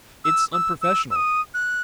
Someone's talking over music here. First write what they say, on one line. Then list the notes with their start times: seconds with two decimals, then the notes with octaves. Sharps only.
"It's unprofessional."
0.25 E6
0.53 E6
0.82 E6
1.11 E6
1.16 D#6
1.54 F#6